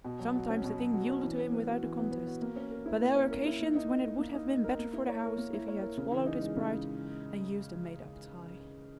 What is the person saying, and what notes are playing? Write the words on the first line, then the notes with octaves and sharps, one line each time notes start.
Sometimes the thing yielded to him without a contest, but there were occasions when it would have been better for the house if he had swallowed his pride and used a made-up tie.
B2
F#3
F#4
C#4
B2
F#3
F#4
C#4
E3
B3
B4
F#4
E3
B3
B4
F#4
A#3
C#4
A#4
E4
A#3
C#4
A#4
E4
A#3
D#4
D#5
A#4
A#3
D#4
D#5
A#4
A#3
E4
C#5
A#4
A#3
E4
C#5
A#4
C#3
E3
D#4
G#3
C#3